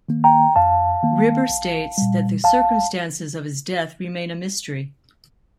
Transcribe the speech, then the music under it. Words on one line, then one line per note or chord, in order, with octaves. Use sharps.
Riber states that the circumstances of his death remain a mystery.
D#3 A#3
G5 A#5
F2 F5 A5
D#3 A#3
A#1
A#2 G3
A#1 F5 A5